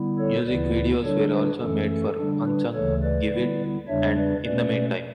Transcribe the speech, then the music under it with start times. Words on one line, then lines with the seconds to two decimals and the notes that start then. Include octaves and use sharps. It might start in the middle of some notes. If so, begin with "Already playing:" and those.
Music videos were also made for "Unsung", "Give It" and "In the Meantime".
Already playing: D3 G3 B3 E4
0.18 A4 C#5
0.46 D2 C#3 E3 B3 E4 B4 D5
1.03 D3 G3 D4 A4 C#5
1.32 B4
1.60 F#2 E3 A3 C#4 A4
1.89 A4
2.17 D3 G3 D4
2.46 B4
2.74 D2 C#3 E3 A3 A4 C#5
3.03 B4 D5
3.31 D3 G3 B3 E4
3.88 E2 C#3 G3 D4 C#5 E5
4.17 B4 D5
4.45 B2 A3 C#4 B4 D5